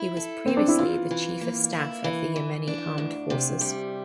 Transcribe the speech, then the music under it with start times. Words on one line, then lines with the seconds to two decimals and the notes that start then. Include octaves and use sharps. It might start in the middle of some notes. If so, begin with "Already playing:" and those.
He was previously the chief of staff of the Yemeni Armed Forces.
Already playing: E4
0.17 A4
0.46 E3 C4
0.57 D4
0.68 E4
0.79 E3 F4
1.11 E3
1.41 A#3
1.72 E4
2.04 E3
2.36 E3
2.67 D4
2.98 D2
3.30 C3
3.61 G3